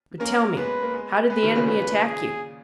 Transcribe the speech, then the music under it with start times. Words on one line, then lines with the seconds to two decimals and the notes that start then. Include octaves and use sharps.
"But tell me, how did the enemy attack you?"
0.20 A#3 C#4 A#4
0.57 G#3 B3 B4
0.83 A#3
0.94 G#3 B3
1.30 G#3 B3 B4
1.43 B2 D#3
1.55 A#2 C#3
1.67 A#2 C#3 B4
2.04 G#4